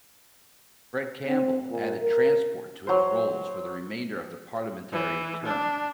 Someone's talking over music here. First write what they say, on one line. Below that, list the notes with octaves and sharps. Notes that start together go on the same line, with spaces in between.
Fred Campbell added Transport to his roles for the remainder of the parliamentary term.
C4
A#2
A#4
F#3 C5
E3
D4